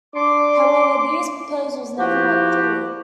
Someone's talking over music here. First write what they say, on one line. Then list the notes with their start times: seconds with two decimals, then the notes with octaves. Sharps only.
However, these proposals never went through.
0.15 D4 C6 D6
1.99 F3 A#3 E4 F#4 G4